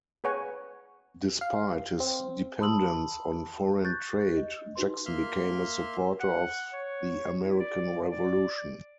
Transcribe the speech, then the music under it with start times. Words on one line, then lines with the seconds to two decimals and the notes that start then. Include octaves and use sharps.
Despite his dependence on foreign trade, Jackson became a supporter of the American Revolution.
0.24 G#4 B4 C#5 F#5 G#5
1.41 F5
2.00 C4
2.60 A5 B5 C6 D#6 E6 F#7
3.84 C#6 F#6 G6 A6
4.37 D#5
4.76 D#4 F#4 B4 C6
5.06 A#3 E5 C6 F6
6.20 F#5
6.73 C#5
7.43 E4
7.59 D5
8.10 D5